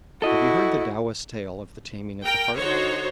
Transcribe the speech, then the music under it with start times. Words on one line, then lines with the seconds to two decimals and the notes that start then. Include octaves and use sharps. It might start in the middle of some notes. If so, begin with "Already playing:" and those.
Have you heard the Taoist tale of the Taming of the Harp?
0.22 E4 F#4 A4 D#5
2.24 A#4 G5
2.57 D3 D#4 F#4 C5 C#5